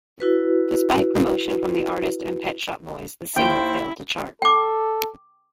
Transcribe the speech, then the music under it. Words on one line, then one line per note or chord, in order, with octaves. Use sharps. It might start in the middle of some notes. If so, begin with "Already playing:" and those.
Despite promotion from the artist and Pet Shop Boys, the single failed to chart.
E4 F#4 B4
D#2 E4 C5 G5
A4 G5 D6